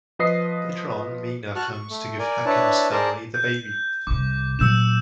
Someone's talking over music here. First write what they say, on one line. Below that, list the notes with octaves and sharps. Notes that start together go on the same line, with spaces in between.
Later on, Meena comes to give Hakim's family the baby.
F3 B4 D#5 D#6 C7
F#4 F#5 A5 C#6 F6 F#6
C#6
A3
A#4 D5 G#5
D4 E4 B4 C#5 A5
G#4 A#4 C5 D5 A5 A#5
G6
C2 C3 D6
A#2 F#3 E6 G6 E7